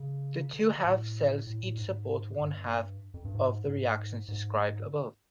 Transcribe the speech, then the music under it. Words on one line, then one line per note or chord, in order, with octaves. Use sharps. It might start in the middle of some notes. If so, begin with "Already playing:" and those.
The two half cells each support one half of the reactions described above.
Already playing: C#3
D3
D3
A2
A2
A2
G#2
G2
F2
G2
G#2
G#2
G#2